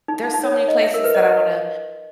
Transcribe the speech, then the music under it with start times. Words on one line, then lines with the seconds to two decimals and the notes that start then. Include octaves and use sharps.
there's so many places that I wanna
0.08 D#4
0.23 D#4
0.34 D#4
0.43 C#5
0.54 C#5
0.68 D#5
0.84 E5
0.94 A#4
1.04 B4
1.15 D#5
1.29 D#5